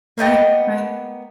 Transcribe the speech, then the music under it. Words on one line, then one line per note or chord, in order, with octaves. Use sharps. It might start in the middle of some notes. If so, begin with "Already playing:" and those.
Right, right.
A#3 B3 D#5 G5